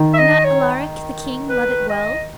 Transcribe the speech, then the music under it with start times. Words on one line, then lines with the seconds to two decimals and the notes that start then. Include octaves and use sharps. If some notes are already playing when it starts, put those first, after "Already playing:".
Did not Alaric the king love it well?
Already playing: D#3
0.14 E5
0.19 D#5
0.44 C#5
1.49 B4
1.89 D#5